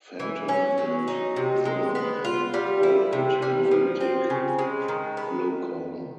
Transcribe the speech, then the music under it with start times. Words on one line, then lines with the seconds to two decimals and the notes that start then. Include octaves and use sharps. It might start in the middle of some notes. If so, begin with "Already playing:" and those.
Fenton and Zimmerman called it hemolytic glaucoma.
0.20 E3
0.49 C#4
0.78 F#3
1.08 D#4
1.36 C3
1.65 G#3
1.95 B3
2.25 F4
2.54 G3
2.83 E4
3.13 C3
3.42 G3
3.71 F3
4.00 C4
4.30 C#3
4.59 G#3
4.88 D#3
5.17 B3